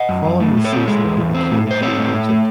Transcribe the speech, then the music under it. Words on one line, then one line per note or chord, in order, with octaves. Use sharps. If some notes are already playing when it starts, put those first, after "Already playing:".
Following the season, he became a free agent.
Already playing: D#5 F#5
F#2
F#2
A3
A2
A4 C#5
C4
G#3
E2
E2
C4
A2
A2 C5
C4 A4 C#5
A2
A2
A3